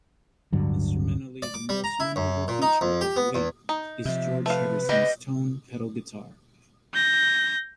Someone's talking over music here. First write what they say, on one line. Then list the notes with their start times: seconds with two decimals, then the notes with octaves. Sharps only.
Instrumentally, the most memorable feature of "Wait" is George Harrison's tone pedal guitar.
0.53 D1 G2 D3 F#3
1.42 D5
1.54 D6
1.69 G3
1.84 A#5
2.00 E4
2.16 F#2
2.48 A#2
2.62 D#4
2.81 F2
3.01 G4
3.16 B3
3.35 E2
3.69 D#4
4.05 C3 F3 E5
4.46 A3 B4 F5
4.89 C#3 G3 G4 D#5
6.94 G6 A#6